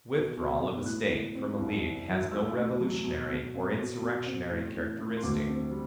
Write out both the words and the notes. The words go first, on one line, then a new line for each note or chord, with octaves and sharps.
The withdrawal of a State from a league has no revolutionary or insurrectionary characteristic.
B2
B2
B3
A2 F#6
A2
C4
C2
C2
F#3
C2 E6
A3
F#3
B2
B2
C4
B2
B2
C4
A2
A2
A3
C6
D2 D6
C4
G3